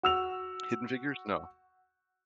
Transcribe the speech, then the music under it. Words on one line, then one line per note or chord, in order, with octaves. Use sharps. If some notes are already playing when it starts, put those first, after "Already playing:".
Hidden figures? No.
F#4 E6 F7